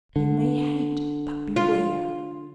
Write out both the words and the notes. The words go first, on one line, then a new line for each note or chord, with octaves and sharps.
You may hate, but beware!
D3
F4